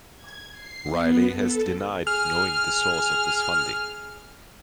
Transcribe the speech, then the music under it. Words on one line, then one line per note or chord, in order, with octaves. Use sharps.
Riley has denied knowing the source of this funding.
G#6
C7
B3
A4
G#4 F6